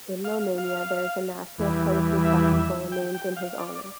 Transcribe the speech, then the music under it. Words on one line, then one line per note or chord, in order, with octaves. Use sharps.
In Romania, there is a national poetry festival named in his honor.
F5
F5
E2 E3 G3
E5
E5
G5
G5
F5
D5
D5